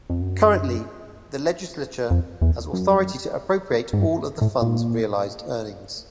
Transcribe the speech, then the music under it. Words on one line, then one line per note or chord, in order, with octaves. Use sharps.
Currently the Legislature has authority to appropriate all of the fund's realized earnings.
F2
F#2
F2
E2
F#2
G#2
G2
A2
A#2